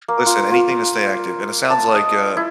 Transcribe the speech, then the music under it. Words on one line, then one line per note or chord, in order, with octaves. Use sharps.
listen, anything to stay active, and it sounds like, uh
A#3
F4
F4
A5
D#5
E4